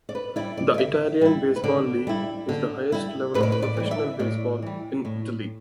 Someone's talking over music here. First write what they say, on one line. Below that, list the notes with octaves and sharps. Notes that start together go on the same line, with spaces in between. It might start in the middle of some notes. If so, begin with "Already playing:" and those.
The Italian Baseball League is the highest level of professional baseball in Italy.
D5
B4
G3 E4 D5
D5
D5
D3 E5
G3 E4
B4
D3 D5
G3 E4
D3
G3 E4
A2 B4
D5
B4
D5
E3 G3
D5
E5
A2 D5
E3 G3
A2